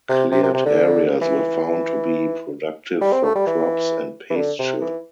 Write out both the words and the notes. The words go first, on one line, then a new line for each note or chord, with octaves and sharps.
Cleared areas were found to be productive for crops and pasture.
C3
C3
C3
C3
D3
E3
G3
C4
A3
G3
E3
E3
D3
C3
E3